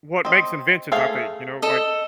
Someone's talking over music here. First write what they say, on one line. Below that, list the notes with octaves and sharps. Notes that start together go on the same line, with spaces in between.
what makes inventions, I think, you know? Like
C4 D#5
A3 G#4 F5
A4 D#5